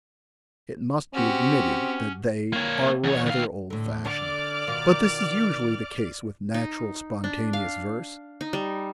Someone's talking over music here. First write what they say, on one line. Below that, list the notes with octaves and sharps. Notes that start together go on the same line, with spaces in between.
It must be admitted that they are rather old-fashioned, but this is usually the case with natural spontaneous verse.
C4 C#4 F#4 G4
A#3 C#5
E2 C#5
D#2 F5
A2 D3
D3 D5 D6 F6
B2 D#3 F4
D#4
D4
F5
D#4
G3